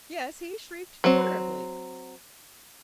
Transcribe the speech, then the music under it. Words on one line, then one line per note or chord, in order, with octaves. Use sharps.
Yes, he shrieked terribly!
F#3 C4